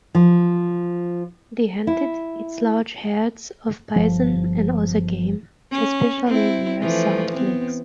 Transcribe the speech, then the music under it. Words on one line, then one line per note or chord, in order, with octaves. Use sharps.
They hunted its large herds of bison and other game, especially near salt licks.
F3
E4
G1 F3
C#4
C4 E4
E3 F3 A3
B3 C4